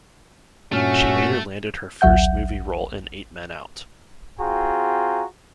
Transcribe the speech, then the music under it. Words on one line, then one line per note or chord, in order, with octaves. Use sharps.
She later landed her first movie role in "Eight Men Out".
G2 A#2 A3 C#4 F#4 F6
A1 D2 F#3 E5 F#5 G6
C4 F4 F#4 G#4 G5 A#5